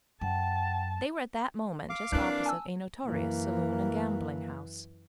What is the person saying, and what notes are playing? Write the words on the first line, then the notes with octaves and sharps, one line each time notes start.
They were at that moment just opposite a notorious saloon and gambling house.
F#2 F#5 G5 A5
F5 D6
E3 A#3 C4 D4 E4 F#6
G#5 A5 E6
F#2 E3 A#3